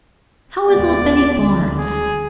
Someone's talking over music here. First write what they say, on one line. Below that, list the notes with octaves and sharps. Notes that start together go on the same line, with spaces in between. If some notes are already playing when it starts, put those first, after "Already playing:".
'How is old Betty Barnes?'
D#2 G#3 B3 D5
D2
G#4